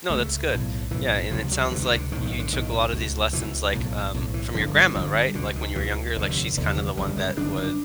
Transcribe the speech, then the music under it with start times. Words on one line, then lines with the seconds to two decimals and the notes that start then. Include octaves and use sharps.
No, that's good. Yeah, and it sounds like you took a lot of these lessons, like, um, from your grandma, right, like, when you were younger, like, she's kinda the one that would
0.10 C#2 C#3 A3
0.51 B1 A2
0.91 B1 A2 E3
1.31 C#2 C3 F3
1.52 F#3
1.65 F3
1.71 C#2 C3 E3
1.82 D#3
1.92 D3
2.12 A2 D#3
2.15 B1
2.25 D#3
2.39 D3
2.52 B1 A2 D#3
2.93 C#2 B2
3.33 C#2 B2 E3
3.73 B1 A2
4.14 B1 A2
4.34 E3
4.54 G1 G2 D3 F3
4.75 G3
4.95 G1 G2 D3 F3
5.35 B2 D3
5.38 C#2
5.56 D#3
5.75 C#2 B2 E3
6.16 F1 D#2 D3
6.57 F1 D#2 D3
6.67 G3
6.77 F#3
6.97 G1 F#2 C#3 G3
7.09 G3
7.17 G#3
7.37 G1 F#2 C#3 D4
7.58 D4